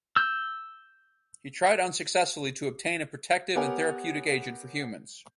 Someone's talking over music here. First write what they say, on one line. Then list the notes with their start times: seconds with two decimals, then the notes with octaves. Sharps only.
He tried unsuccessfully to obtain a protective and therapeutic agent for humans.
0.16 E6 G6
3.55 B3 G4 A#4 C#5 F#5 G#5